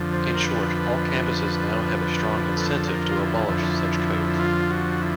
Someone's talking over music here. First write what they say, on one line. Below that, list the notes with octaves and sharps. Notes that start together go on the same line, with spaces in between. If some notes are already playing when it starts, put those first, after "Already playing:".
In short, all campuses now have a strong incentive to abolish such codes.
Already playing: F2 D3 F3
C5
A#4
B4
A4
A#4
F4
E4
F2 D3 F3
F4
F#4
E4